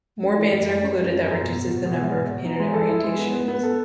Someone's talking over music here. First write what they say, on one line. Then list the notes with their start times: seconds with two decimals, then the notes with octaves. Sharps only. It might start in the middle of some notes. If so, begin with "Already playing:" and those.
More bands are included that reduces the number of candidate orientations.
0.22 C#4
0.37 E3
0.52 F#2
0.67 G#3
0.82 C#4
0.97 F#2
1.11 C#4
1.26 F#2
1.41 B2
1.55 B2
1.71 B2
1.85 B2
2.00 G#3
2.15 B2
2.29 B2
2.44 D#4
2.59 G#3
2.74 A4
2.88 E4
3.04 G#3
3.19 B3
3.33 B3
3.48 B3
3.63 A4